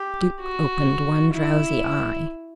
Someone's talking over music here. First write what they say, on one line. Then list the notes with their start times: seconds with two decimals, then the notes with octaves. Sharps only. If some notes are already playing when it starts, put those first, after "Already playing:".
Duke opened one drowsy eye.
Already playing: G4
0.40 F#4
1.33 E4